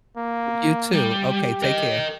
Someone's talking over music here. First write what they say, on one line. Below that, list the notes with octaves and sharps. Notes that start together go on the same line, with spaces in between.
You too, okay, take care.
A#3
G3 G4
A#4 D#5